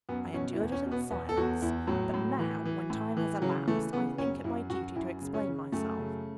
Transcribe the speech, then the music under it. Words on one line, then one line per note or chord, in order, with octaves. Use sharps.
I endured it in silence, but now when time has elapsed I think it my duty to explain myself.
F#2 B3
B2 C#4
E4
E2
C#4
B2
B3
E2 B3
A4
E2 F#4
E2 E4
A2 F#3
A2
E3
E3
A2
E3
C#3 F#3
E3 A3
C#3 B3
F#2 C#4
F#2 E4
F#2 F#4
F#2 E4
C#3
C#4
C#3
F#2 A3
C#3